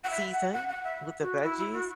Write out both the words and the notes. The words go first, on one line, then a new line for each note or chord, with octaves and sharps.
seasoned with the veggies.
F#5
E5
F#5
F#5
F#5
E5
F#4
E4
E4
F#4